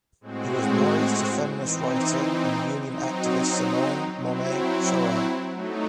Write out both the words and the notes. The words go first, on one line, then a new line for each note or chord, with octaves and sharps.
He was married to feminist writer and union activist Simonne Monet-Chartrand.
A2 G#3 C4 F#4
E3 C4 D#4
F#3 C4 D#4
F#3 C4 E4
F#3 A3 D#4